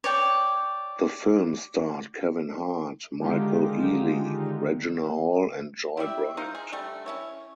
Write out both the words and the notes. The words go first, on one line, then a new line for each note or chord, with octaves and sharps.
The film starred Kevin Hart, Michael Ealy, Regina Hall and Joy Bryant.
C#5 D5 G5
D3 D#3 G#3 D#4 F4 G4
E4 G4 D5 E5
D#4 F4 C5
G#4
D3 G3 A3
C#4 E4 C#5